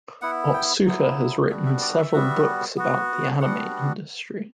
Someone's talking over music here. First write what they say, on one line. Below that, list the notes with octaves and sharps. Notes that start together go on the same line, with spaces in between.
Otsuka has written several books about the anime industry.
B3 E4 F#5
G5
F#3 B3 E4
G3 B3 D4 F#4 E5
E5
D5
E5
G3 B3 F#4
B3 F#4
G3 B3 D4 F#4 F#5